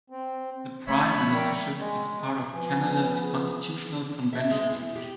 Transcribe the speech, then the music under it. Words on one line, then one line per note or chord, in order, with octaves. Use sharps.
The prime ministership is part of Canada's constitutional convention tradition.
C4
F3 A3 C#5 E5 B5
A#4 D5 G5
G#3
F3 B3 G#5
G#4
E5
G#3
E2
G4